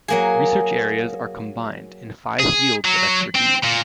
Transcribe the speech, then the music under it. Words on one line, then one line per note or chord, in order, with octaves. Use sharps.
Research areas are combined in five fields of expertise.
F#3 A#3 G#4
G#4
F#3
C4
A#2